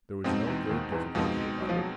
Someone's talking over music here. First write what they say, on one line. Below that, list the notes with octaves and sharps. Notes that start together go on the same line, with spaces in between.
There was no great difficulty about it.
F2 B2 F3 G#3 C4 D#4
E2 E3
D#2 D#3
E2 E3
F2 B2 F3 G#3 C4 D#4
F#3
F3
F#3